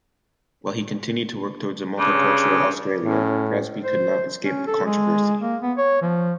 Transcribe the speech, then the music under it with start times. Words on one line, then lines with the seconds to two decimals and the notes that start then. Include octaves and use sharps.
While he continued to work towards a multicultural Australia, Grassby could not escape controversy.
1.99 G2 C#3
3.04 A2 C#4
3.84 C5
4.44 C#4
4.67 A4
4.85 G#3
5.41 A#3
5.62 B3
5.77 C#5
6.02 F3